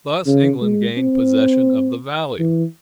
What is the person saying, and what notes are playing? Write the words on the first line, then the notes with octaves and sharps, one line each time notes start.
Thus England gained possession of the valley.
C#3
G#3
C4
E3